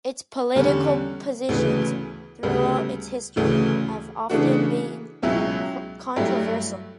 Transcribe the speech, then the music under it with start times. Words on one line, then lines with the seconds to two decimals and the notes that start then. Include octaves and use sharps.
Its political positions throughout its history have often been controversial.
0.55 E2 D3 G3 C#4
1.49 D2 C#3 E3 B3
2.43 D2 C#3 G3 B3
3.36 D2 C#3 E3 A3
4.30 C#3 E3 A3 D4 F#4
5.22 C#2 B2 F#3 C#4 E4
6.16 G2 F#3 A3 E4 G4